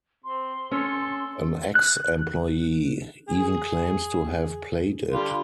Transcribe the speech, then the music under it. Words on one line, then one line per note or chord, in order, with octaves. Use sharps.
An ex-employee even claims to have played it.
C4 C6
C#4 A4 C#5
F#6
G#4
D3 G3 F4